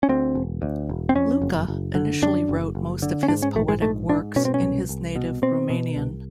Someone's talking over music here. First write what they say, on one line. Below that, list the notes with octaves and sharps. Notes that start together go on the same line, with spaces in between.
Luca initially wrote most of his poetic works in his native Romanian.
C#4
D2 C4
E1
D2
E1
C4
F2 C#4
F#1
F#1
D3
F#2 D4
F#1
F#1
D3
C#4
G#2 D4
C#4
A#1 A3
G#3
G#2 A3
G#2 D4
B2 C#4
C4
C#4
C2
C2
B2
B2 C4
B2
C2